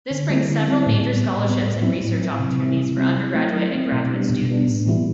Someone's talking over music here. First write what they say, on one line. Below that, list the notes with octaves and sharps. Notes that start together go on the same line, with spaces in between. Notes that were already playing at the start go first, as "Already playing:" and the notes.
This brings several major scholarships and research opportunities for undergraduate and graduate students.
D3
G3 C4 E4
D3
G3 C4 E4
A2
G3 B3
A2
G3 B3
A2
F#3 C4 E4
A2
F#3 C4 E4
C3
G3 C4 E4
C3
G3 C4 E4
F#3
A3 C4 E4
F#3
A3 C4 E4
B2
G3 B3 D4
B2
G3 B3 D4
A2
E3 G3 B3 E4